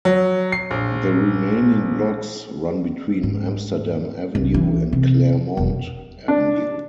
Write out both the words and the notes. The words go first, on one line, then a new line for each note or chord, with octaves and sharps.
The remaining blocks run between Amsterdam Avenue and Claremont Avenue.
F#3
C7
A#1
G#2
C2
E3
C3
E1
D4